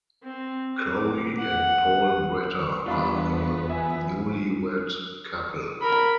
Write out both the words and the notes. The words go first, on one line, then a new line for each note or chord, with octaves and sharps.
Corie and Paul Bratter are a newlywed couple.
C4
D6
F#5
E2 G3 B3 D4 F4 F5 B5
E5 G#5
A#4 B5